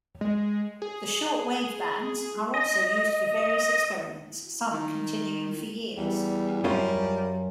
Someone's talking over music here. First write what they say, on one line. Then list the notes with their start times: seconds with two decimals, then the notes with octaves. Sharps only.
The short wave bands are also used for various experiments, some continuing for years.
0.21 G#3
0.82 G#4
2.54 D#5
4.72 D#3
5.97 E2 G3
6.64 F#2 G3 C#4 F4 A#4